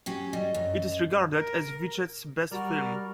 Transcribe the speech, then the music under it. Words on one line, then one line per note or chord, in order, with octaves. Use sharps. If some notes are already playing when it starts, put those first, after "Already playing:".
It is regarded as Vichet's best film.
F#3 C#4 G4
G3 D#5
F#2
A#4
G3 F#4 A#4 D5 F6